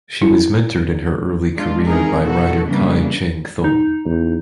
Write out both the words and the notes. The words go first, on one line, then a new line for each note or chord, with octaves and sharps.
She was mentored in her early career by writer Kai Cheng Thom.
E4
G#3 D4 F4
E3 C4 D#4 G#4 A#4
B2 D#3 F3 F#4 A4
C#3 E3 G3 A#3 B3 D4
D#4
E2